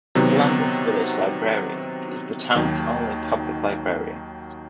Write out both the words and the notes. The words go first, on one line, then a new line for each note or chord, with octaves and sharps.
Columbus Village Library is the town's only public library.
C3 D#3 F#3 B3
D#2 D#3 F#3